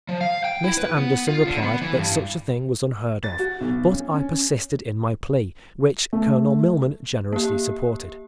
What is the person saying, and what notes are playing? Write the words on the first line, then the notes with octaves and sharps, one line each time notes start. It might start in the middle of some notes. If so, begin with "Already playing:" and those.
Mr. Anderson replied that such a thing was unheard of, but I persisted in my plea, which Colonel Milman generously supported.
F3
F5
G5
E4
B4
B3
F4
D3
B3
E3
G2
A6
F#4
B1
C#4
C#4
A3
A#3 G4